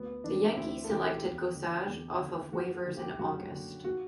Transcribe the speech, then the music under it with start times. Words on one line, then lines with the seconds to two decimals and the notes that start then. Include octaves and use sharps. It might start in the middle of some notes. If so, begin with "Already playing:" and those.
The Yankees selected Gossage off of waivers in August.
Already playing: D2 B3
0.24 C3 E3 D4
0.57 D2 E4
0.84 A4
0.89 C3 E3 G4
1.22 E2
1.55 D3
1.88 E2
2.20 D3
2.53 F#2 F#4
2.86 D3
2.97 G4
3.19 F#2 F#4
3.51 D3
3.84 F#4